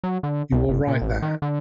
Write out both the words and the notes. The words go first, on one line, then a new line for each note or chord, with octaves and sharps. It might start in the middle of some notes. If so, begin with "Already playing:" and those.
You all right there?
F#3
D3
C2
G1
A#2
A1
D#3
D3